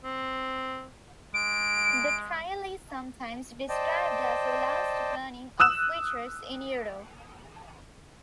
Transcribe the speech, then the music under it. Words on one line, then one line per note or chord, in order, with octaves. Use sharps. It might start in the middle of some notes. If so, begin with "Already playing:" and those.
The trial is sometimes described as the last burning of witches in Europe.
C4
G#3 D7
C5 D5 D#5 G5 A5
D#6 E6 F#6 E7